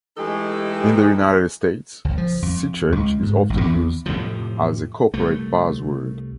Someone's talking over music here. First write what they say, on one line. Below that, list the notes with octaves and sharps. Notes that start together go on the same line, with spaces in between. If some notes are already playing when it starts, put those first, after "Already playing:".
In the United States, sea-change is often used as a corporate buzzword.
E3 G#3 A3 D#4 G4 A4
C#2
F3
F2
C#2
G#2
A1
E2
F2 A2 C3 F3
C2 A3